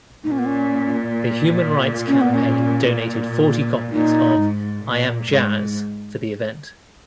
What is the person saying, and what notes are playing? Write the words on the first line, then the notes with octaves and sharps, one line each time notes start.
The Human Rights Campaign donated forty copies of "I Am Jazz" for the event.
A#2 D#4
C#4
B3
C#4
C#4
B3
C#4
A#2 D#4
G#2
A#2
G#2